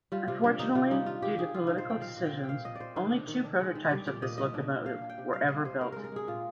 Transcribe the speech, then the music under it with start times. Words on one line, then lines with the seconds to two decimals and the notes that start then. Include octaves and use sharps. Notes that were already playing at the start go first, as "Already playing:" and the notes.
Unfortunately, due to political decisions only two prototypes of this locomotive were ever built.
0.12 G3 F4
0.28 C3 F4
0.44 G3 D4
0.59 D#3 D#4
0.75 C3 F4
0.91 G3 D#4
1.06 D4 F4
1.22 D#3 G4
1.38 D#3 G#4
1.54 D#3 F4
1.67 D#3 D#4
1.78 C5
1.85 D#3 G5
2.01 A#2 F5
2.17 A#2
2.25 G5
2.33 C4
2.44 G5
2.49 A#2 F5
2.65 A#2 D#5
2.76 A#2 C5 D5
2.96 D#3 C5
3.12 D4
3.27 D#3
3.44 D4
3.59 G#3
3.75 D#3
3.91 G3 D5
4.07 A#2 D5
4.22 A#2 D#5
4.38 G3 D#5
4.54 D4
4.70 D4
4.86 D4 F5
5.02 D4
5.10 G5
5.18 C3
5.33 G3 F5
5.48 G3 D#5
5.65 C3 C5
5.80 D4 A#4
5.92 G#3 A#4
6.04 A#4
6.12 G#3 G#4
6.27 A#2 F4